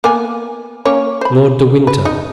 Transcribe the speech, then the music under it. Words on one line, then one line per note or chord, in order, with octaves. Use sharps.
"Lord de Winter."
A#3 B3 G#5
A#3 C#4 C#5
C5 B5
B4
D#4 D#5